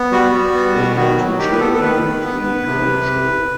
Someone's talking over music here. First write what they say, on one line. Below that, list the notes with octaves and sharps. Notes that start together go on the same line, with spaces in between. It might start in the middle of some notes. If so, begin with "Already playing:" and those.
They had two children and three grand children.
Already playing: B3
G3 F#4
G3
B3
B2
D#3 F#4
F#3
D#3 G4
B4
B3 A4
A4
D#3 B4
D#3
B3
B3
C3
C3